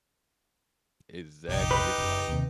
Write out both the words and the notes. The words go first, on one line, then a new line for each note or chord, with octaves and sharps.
Exactly, it's like,
F1 A#1 D#4 G4
B4
F#1
D#2 C3